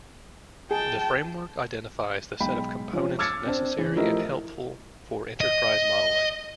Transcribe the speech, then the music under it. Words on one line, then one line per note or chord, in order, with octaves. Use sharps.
The framework identifies the set of components necessary and helpful for enterprise modelling.
G#4 G5 A5
B1 G#3 G5 B5
F3 C#4
D6 E6 F6 G#6 A6 C#7
C4 D4
E3
F3 A3 E4 G4 A#4 D#5
D#5